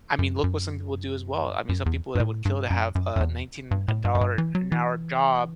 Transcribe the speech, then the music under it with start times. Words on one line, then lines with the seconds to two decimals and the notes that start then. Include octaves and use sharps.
I mean, look what some people do as well. I mean, some people that would kill to have a nineteen uh, dollar-an-hour job
0.19 F#2
0.44 F#2
1.69 F#2
1.86 E2
2.15 G2
2.20 A2
2.45 G2
2.70 F#2
2.95 F#2
3.16 F#2
3.21 E2
3.71 G2
3.88 A2
4.05 G2
4.15 F#2
4.21 G2
4.38 E3
4.55 F#3
4.72 E3